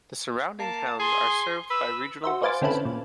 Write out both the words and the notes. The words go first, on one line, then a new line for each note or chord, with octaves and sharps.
The surrounding towns are served by regional buses.
A#3 A5
G#4 C6
B4 E6
F#4 C5 E5
B4 C5 F5 G#5 D6 A6
D3 C4 C#4 E4 A4 B4
A#2